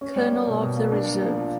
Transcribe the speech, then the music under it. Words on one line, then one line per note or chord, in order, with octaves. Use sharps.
Colonel of the Reserve.
C#4
G3
A#3
B2
B2
A#3
D4
A#3
F3
F3